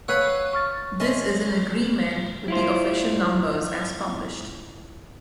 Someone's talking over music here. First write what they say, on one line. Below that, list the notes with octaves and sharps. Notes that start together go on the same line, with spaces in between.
This is in agreement with the official numbers as published.
B4 C#5 F5 F#5 G#5 E6
C#6 F6 A6
C#4 D#5 E5 A5 C6
E4 F4 C5